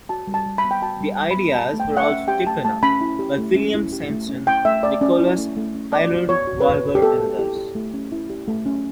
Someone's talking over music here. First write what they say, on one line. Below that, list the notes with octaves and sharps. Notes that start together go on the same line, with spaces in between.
The ideas were also taken up by William Swainson, Nicholas Aylward Vigors, and others.
F#4 A5
G3
A5
G3
B5
B3
G5
F#4 A5
G3
G3
B5
B3
G4 A5
A3
G5
A3
F#5
E5
C#4
G4 G5
A3 A5
A3 A5
C#4 B5
E4
G4
A3
C#4
E4
G4
A3
C#4
E4 G5
A3 E5
A3 D5
C#4 D5
E4
A3
A3
C#4
B3 D5
F#4
B3 C#5
F#4
B4
B3 C#5
F#4
G4
B3 A4
F#4
E4 G4
G4
A3
C#4
E4
G4
A3
C#4